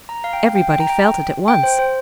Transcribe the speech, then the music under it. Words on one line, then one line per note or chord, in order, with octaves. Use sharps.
Everybody felt it at once.
A#5
F5
G5
F5
G5
G5
A#5
G5
G5
C5
C5